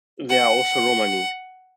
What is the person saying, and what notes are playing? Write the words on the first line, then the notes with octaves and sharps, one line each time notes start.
There are also Romani.
F#5